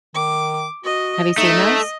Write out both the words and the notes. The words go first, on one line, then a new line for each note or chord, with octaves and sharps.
Have you seen those?
D#3 D6
F#4 D#5
A3 D#4 D#5